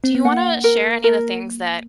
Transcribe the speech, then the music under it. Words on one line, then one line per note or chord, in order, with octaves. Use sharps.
Do you wanna share any of the things that
C4
B3
A#3 F#5
A#4
A#4